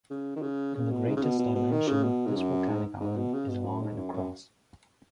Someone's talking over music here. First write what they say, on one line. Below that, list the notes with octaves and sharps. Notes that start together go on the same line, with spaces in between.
In the greatest dimension, this volcanic island is long and across.
C#3
D#3
C#3
C#3
B2
G#2
C#3
B2
B2
B2
D#3
C#3
B2
G#2
F#2
G#2
G#2
B2
C#3
B2
F#2
G#2
F#2
F#2